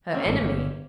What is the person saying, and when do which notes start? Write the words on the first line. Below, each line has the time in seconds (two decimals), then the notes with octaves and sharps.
"Her enemy?"
0.13 A#3 C4 C#4
0.26 A1 G#2
0.40 G1